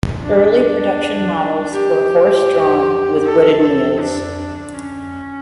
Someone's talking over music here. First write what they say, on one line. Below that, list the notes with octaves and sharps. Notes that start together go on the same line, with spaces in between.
Early production models were horse-drawn, with wooden wheels.
D4
G4
A4
A4
D4
C#4